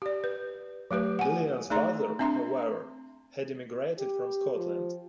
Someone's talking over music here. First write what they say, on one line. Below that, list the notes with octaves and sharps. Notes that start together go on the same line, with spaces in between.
Lillian's father, however, had immigrated from Scotland.
G4 D5
B4
F#3 A3 G4 B4
F#5 G#5
A3 D#4 G#4 D5 A#5 C6
C4 D4 E5 A#5 C6
G4
F3